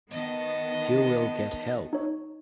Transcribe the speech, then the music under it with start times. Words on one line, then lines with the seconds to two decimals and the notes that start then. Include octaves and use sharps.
You will get help.
0.11 D#3 B3 D#5 A5
1.93 D#4 C#5